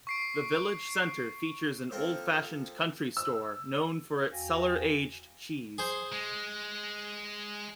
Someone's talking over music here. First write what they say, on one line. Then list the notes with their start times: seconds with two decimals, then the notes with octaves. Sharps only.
The village center features an old-fashioned country store, known for its cellar-aged cheese.
0.07 C#6 C7 D7
1.91 F3 A#3 C4 F4 A4 C5
3.17 E6
4.32 E2 F#4 F5 G5 G#5 A#6
5.78 G#4 C5
6.12 G#3